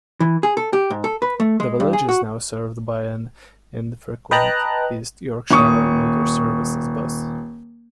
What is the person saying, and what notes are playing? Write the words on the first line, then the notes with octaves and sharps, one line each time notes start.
The village is now served by an infrequent East Yorkshire Motor Services bus.
E3
G#4
A4
G4
G#2
A4
B4
A3
G#3
G2
G#4
F#4
B4 D#5 G5 A5 A#5 F#6
D#1 C#6 D#6